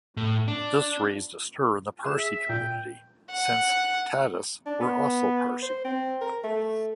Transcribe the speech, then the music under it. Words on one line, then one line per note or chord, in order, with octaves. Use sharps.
This raised a stir in the Parsi community since the Tatas were also Parsi.
A2
D4
G#4 E7
E5
A#2 G5
F#5
D4
B3
C5
C4
A#4
A3